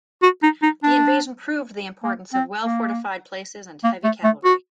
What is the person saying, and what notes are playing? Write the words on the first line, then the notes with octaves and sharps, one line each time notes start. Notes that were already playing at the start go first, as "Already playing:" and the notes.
The invasion proved the importance of well-fortified places and heavy cavalry.
F#4
D#4
D#4
D4
A#3
C4
A#3
A#3
A3
A3
F#4